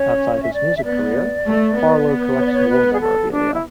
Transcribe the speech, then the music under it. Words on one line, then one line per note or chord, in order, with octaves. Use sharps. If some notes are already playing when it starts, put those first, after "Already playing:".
Outside his music career, Farlowe collects war memorabilia.
Already playing: C#4 C#5
E5
D5
E5
B3 D5
A3
B3
C#5
D5
C#5
B4
G#4
A4
D4
E4